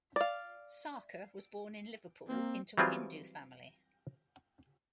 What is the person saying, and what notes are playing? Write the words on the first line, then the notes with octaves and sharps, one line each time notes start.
Sarker was born in Liverpool into a Hindu family.
D5 F5
A#3 C4
E3 F#3 G3 C4 F4 G#4